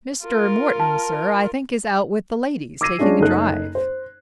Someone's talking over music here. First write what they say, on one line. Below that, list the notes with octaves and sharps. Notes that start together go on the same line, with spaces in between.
"Mr. Morton, sir, I think is out with the ladies, taking a drive."
F4 A#4
A5
D6 E6 G#6 A#6 C7 D#7
G#3 C#4 D4 F4 G#4
F#1 D#4 A4 F#6
C5